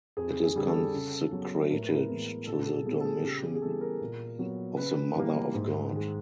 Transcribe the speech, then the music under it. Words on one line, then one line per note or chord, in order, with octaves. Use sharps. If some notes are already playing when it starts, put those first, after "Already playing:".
It is consecrated to the Dormition of the Mother of God.
F2 G#4
G#4
D3 G3 G#4
A4
C#3
F#3 B3
A2 A#4
B4
A#4
E3 G#3 B3
A#2 A4
G#4
G3 B3 G#4
A4
G#4
C#3 G4
G#4
G#4
E3 G3 B3 A4
A#4
A#2
F#3 B3
C#3 B4
E3 G3 A#3
G#2
D#3 G#3